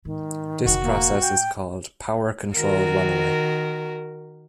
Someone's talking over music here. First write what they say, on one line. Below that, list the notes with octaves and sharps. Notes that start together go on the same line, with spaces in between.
This process is called "power control runaway".
G#2 D#3
F1 D3 F#4
A#3
A2 G5
D#3 F#4 A#4